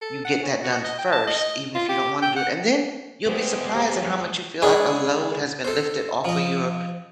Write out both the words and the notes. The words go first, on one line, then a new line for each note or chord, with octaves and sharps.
you get that done first even if you don't wanna do it, and then you'll be surprised at how much you feel like a load has been lifted off of your
A4
F#5
C#4
F#4
D#5
G5
A5
D#5
F4
G4
G5
F#5
E2 G#3 B3 G4 C5
G#3 C#4 D4 E4 G#4
A4 C5
F3 D#5